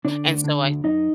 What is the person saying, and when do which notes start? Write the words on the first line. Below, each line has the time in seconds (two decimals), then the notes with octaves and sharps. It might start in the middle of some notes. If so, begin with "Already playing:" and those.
And so I
0.05 D3 D4 D5
0.25 D2
0.44 D3
0.64 D2
0.84 F#2 D#4 D#5